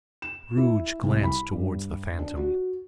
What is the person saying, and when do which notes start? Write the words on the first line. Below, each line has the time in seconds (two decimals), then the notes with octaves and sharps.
Scrooge glanced towards the Phantom.
0.22 E7
0.57 E4
1.03 C2
1.24 B5
1.53 G2
2.19 D4
2.37 F#4